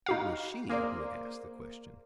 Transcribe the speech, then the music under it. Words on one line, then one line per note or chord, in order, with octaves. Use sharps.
It was she who had asked the question.
D#4 F#4 F5
A#3 G#4 C5 D5